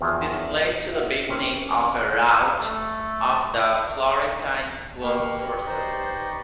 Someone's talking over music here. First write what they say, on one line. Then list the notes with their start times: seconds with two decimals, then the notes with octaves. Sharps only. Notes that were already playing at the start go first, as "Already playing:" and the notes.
This led to the beginning of a rout of the Florentine-Guelph forces.
0.01 E2 D#3 F3 F#3 F4 G#4
0.91 E4 F#4
1.29 A#3 C4 C#4 G4 B4
2.60 A3 A4
5.02 A#3 G4 B4 G5 C#6
5.66 D#4 C5 D5 D#5